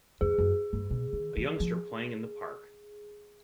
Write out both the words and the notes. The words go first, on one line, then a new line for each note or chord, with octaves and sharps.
A youngster playing in the park.
F2 G#4
F#2
G2
B2
D#3
E3
F3